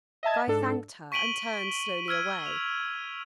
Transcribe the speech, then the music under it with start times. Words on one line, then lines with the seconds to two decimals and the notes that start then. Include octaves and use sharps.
Guy thanked her, and turned slowly away.
0.23 D#5 E5 A5 G#6
0.47 G#2 D4 A4
1.12 C#6 B6 D7 D#7 F#7 G7
2.08 E6 F6 G#6 D#7
2.46 F7